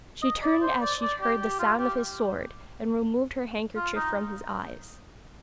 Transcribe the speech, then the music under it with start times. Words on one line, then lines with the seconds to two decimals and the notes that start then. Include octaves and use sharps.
She turned as she heard the sound of his sword, and removed her handkerchief from his eyes.
0.22 D#5
0.43 D5
0.62 C5
0.81 D5
1.01 D5
1.21 G4
1.41 G4
1.59 F4
1.79 G4
3.76 F4
3.96 D#4